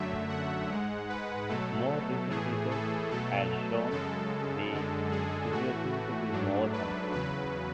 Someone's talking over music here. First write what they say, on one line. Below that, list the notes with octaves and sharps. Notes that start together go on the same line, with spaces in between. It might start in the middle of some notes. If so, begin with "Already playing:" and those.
More recent research has shown the situation to be more complex.
Already playing: F#2 D3 F#3 A3 E5
F#5
G#2 G#3
B4
B2 F#3 A3 A4
A2 E3 A3 G#4
A4
B2 F#3 A3 A4
F#2 C#3 G#3 A4
F#2 D3 G#3
G#4
A2 E3 A3 F#4
G#2 F#3 A3 D4
B4
E2 C#3 F#3 B4